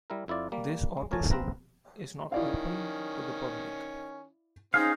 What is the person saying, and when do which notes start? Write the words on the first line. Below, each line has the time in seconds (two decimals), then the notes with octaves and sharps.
This auto show is not open to the public.
0.10 G3 E4 A#4
0.28 F2 E4 F4 D5
0.52 G3 A#3
0.97 G#3
1.11 A2 A#4 C#5 G#5 A5
1.31 A#1 C4 B4 F5 A#5
2.32 D#3 C#4 E4 D5 F5
4.74 C4 C#4 D#4 G#4 F5